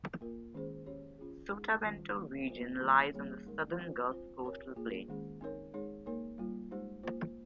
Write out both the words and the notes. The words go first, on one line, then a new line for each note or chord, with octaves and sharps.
Sotavento Region lies on the southern Gulf Coastal Plain.
A#3 F4 A#4
D#3 G#3 C#4 G#4 C5
C#4 G4 C#5
C#4 F4 G#4
G#3 D#4 G#4
D#3 G3 C#4 F4
A#3 C#4 G4
A#3 F4 C5
D#3 G3 A#3 F4 G#4
G3 A#3 C#4 G#4 C#5
G#3 D#4 A#4
C4 F4 C5
C4 F4 C5
C4 G4 A#4 C#5
A#3 F4 G#4
D#3 G#3 C#4 G#4
C4 D#4 A#4 C#5
G#3 D#4 G#4 C#5
A#3 D#4 A#4 C#5
G3 A#3 F4
G#3 D#4 G4 C5
A#3 F4 C5